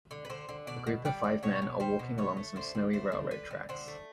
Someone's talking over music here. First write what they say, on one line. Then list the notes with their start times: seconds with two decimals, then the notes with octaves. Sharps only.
A group of five men are walking along some snowy railroad tracks.
0.11 D3
0.25 B4
0.30 D3 C5
0.49 D3
0.67 B2 D5
0.87 B2
1.05 G3 D5
1.24 G3
1.43 B2 C#5
1.62 B2
1.80 G3 C5
1.99 B2
2.18 A3 C#5
2.37 A3
2.56 D3 C5
2.75 D3
2.93 A3 C5
3.12 D3
3.31 D3 B4
3.51 D3
3.69 D3 C5
3.88 A3